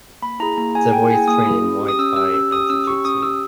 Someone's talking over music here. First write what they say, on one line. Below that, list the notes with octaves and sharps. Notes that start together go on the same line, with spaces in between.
Savoy is trained in Muay Thai and jujutsu.
A#3 B5
E4 G#4 A#5
A#3 A#5
E4 G#4 G#5
A#3 G5
E4 G#4 G#5
A#3 D#6
E4 G#4 D#6
C#4
G4
D#6
C#4 E6
G4 E6
C#4 E6
G4 D#6
C#4 E6
G4 C#6
C#4 D#6
G4 E6